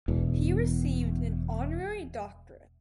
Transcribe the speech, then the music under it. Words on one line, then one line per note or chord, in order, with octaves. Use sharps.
He received an honorary doctorate.
E1 E2